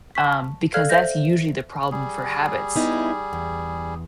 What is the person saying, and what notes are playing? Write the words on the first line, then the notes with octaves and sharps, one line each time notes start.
Um, because that's usually the problem for habits,
A5 C#6 B6
A4 D5 F5 F6 F#6 G#6
C5 E5 G6 A#6
G3 G#4
B3 D#4 E4
E2